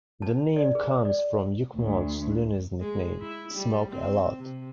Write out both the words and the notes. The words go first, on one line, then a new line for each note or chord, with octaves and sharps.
The name comes from Yukmouth's Luniz nickname, "Smoke-a-Lot".
A5
D5
G#4
D5
D2
G#3
E4
G3
C4
C3